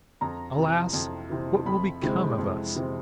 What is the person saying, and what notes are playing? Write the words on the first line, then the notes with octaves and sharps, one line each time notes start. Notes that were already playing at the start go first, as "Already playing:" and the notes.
Alas, what will become of us?
F2 A#5
C3 E3
F2
C3 E3
F2 B5
C3 E3 G#3 C4
F2
C3 E3 G#3 C4